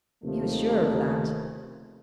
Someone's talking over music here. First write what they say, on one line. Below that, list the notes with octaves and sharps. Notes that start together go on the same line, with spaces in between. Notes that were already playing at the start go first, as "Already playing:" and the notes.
He was sure of that.
D#2 C3 D#3 F3 A3